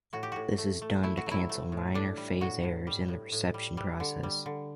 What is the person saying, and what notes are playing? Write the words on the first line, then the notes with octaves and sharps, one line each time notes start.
This is done to cancel minor phase errors in the reception process.
A2 F#4
G4
A2 F#4
A3
A3
A3 E4
F#4
F#3 E4
A3
A2
A2 D4
G3
A2 F#4
A2
G3
A2
A2
G3
G3
D3
G3
D3